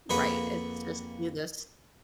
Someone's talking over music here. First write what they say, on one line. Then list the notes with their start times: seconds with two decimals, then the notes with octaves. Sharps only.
Right. It's just, "Do this"
0.10 F2 A#3 G#4 B4 F#5 B5